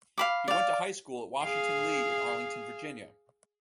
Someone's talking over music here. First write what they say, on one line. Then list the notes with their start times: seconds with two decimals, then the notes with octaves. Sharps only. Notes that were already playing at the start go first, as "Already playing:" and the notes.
He went to high school at Washington-Lee in Arlington, Virginia.
0.18 F5 B5 D6
0.48 D5 F5
1.43 G#4 F5